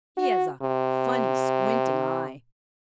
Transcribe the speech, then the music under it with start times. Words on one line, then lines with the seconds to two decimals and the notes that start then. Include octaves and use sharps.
"He has a funny, squinting eye."
0.17 F#4
0.62 C3